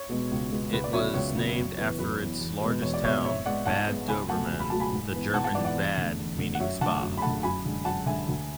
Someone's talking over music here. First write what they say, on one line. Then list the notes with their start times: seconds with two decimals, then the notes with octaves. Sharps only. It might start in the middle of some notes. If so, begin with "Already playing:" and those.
It was named after its largest town, Bad Doberan, the German "Bad" meaning "spa".
Already playing: C#5
0.09 B2 G#3 B3
0.31 C#2
0.52 B2 G#3 B3
0.72 C#2 B4
0.84 D5
0.93 C#3 F#3 B3 C#5 E5
1.14 C#2 C#5
1.35 C#3 F#3 B3
1.56 F#2
1.78 E3 B3
1.98 F#2 B4
2.20 E3 B3
2.40 E2
2.61 B2 G#3 B3
2.82 E2 C#5
2.94 D5
3.03 B2 G#3 B3 C#5 E5
3.25 G#2 C#5 E5
3.46 G#3 B3 D5 F#5
3.66 G#2 F#5 A5
3.87 G#3 B3
4.08 C#2 G#5 B5
4.29 B2 F#3 A3 F#5 A5
4.50 C#2
4.60 B5
4.70 B2 F#3 A3 A5
4.80 G#5 B5
4.92 G#2
5.12 E3 B3
5.34 G#2 F#5 A5
5.44 F#5 A5
5.55 E3 B3 D5 F#5
5.65 D5 F#5
5.76 E2
5.97 D3 A3
6.18 E2
6.38 D3 A3
6.55 F#5
6.60 F#2 C#5 E5
6.81 D3 A3 F#5 A5
7.02 F#2
7.17 B5
7.22 D3 A3 F#5 A5
7.43 F#2 G#5 B5
7.65 D3 G#3
7.85 F#2 F#5 A5
8.06 D3 G#3 E5 G#5
8.28 D2